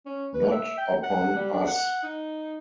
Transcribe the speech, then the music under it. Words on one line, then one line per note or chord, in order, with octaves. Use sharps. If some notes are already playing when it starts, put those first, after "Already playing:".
Not upon us!
C#4
B4
E5
G5
F#5
G3
D4
F#5
D#4